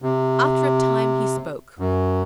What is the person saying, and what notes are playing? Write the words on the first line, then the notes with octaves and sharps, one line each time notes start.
After a time he spoke.
C3
F#2